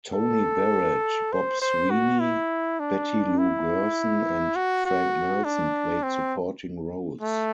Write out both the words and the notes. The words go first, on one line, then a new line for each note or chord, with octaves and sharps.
Tony Barrett, Bob Sweeney, Betty Lou Gerson, and Frank Nelson played supporting roles.
A4
C5
C5
F#4
E4
D4
E4
F#4
F#4
D4
C4
A3